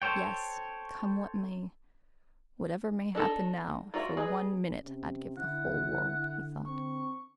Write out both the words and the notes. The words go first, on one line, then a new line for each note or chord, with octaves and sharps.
"Yes, come what may--whatever may happen now, for one minute I'd give the whole world," he thought.
A4 C5 C#5 G5
D4 D#4 A4
F4 F#4 D5 E5
G#4 B4 D#5
C3 C#4
D3 E4 F#5
C4 C#6